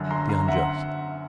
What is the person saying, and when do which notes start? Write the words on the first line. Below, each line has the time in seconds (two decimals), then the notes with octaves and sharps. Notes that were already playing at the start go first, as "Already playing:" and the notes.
The unjust?
Already playing: F#2 D3
0.10 A#5 C6
0.29 A#5 C6
0.48 E5 F#5